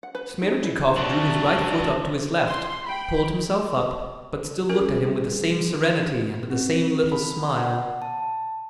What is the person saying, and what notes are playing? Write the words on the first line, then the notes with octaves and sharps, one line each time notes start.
Smerdyakov drew his right foot up to his left, pulled himself up, but still looked at him with the same serenity and the same little smile.
F#5
B4
D#4
E4
F#3 D4
C6
G5 B5
G3 C#4 F#4 G#4 A#4
C4
B5
F#5
A5